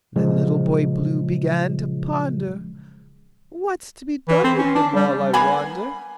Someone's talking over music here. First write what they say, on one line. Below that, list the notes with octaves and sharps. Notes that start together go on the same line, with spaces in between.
Then Little Boy Blue began to ponder: "What's to be done with them all, I wonder."
A#2 C#3 F3 F#3 G#3
E3
C4
C#4
D4
G3
A#3 B3 G#5 B5